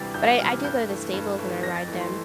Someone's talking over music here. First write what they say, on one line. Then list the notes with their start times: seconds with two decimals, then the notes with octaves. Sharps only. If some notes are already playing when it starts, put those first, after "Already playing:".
But I I do go to the stables and I ride them
Already playing: D2 C3 E3 G3 A6
0.14 D2 G6
0.39 C3 E3 G3 F6
0.64 G2 G6
0.89 E3 A3
1.13 G2
1.38 E3 A3
1.63 F2 A#6
1.76 A6
1.88 E3 A3
2.00 C6